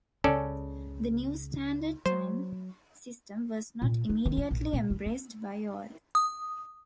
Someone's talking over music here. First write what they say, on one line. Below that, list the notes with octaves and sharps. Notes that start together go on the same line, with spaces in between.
The new standard time system was not immediately embraced by all.
C#2 C#3 C#4 A4 D5
F#3 C5
A#2
D#4
D#3
F4
A#1
A#2
E3
C#4
D#6